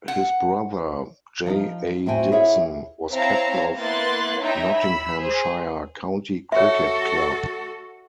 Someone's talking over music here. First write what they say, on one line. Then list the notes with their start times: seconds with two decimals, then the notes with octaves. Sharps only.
His brother, J A Dixon, was captain of Nottinghamshire County Cricket Club.
0.08 F#5
1.47 F3 D#4 F4
2.06 A2 C4 F#4 E5 G5 G#5
2.32 E4 G#4 A#4 C#5 E5 F#5
3.11 C4 E4 C#5 F5 A5 A#5
3.78 A#3 B3 E4 C6 F#6 A6
4.42 D#4 E4 C#5 E5 G5 A#5
4.74 B5 E6
5.18 G#4 C5
6.52 F#4 A4 C#5 E5